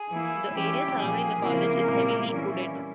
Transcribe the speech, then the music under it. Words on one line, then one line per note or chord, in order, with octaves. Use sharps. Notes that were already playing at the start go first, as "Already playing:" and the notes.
The area surrounding the college is heavily wooded.
Already playing: G#4
E3 A#3 E4
E3 G3 C#4 E4 G4
A#2 F3 A#3 G#4
C#3 F3 A#3 C4 E4 A#4
A#2 G3 C4 E4
E3 G3 C#4 E4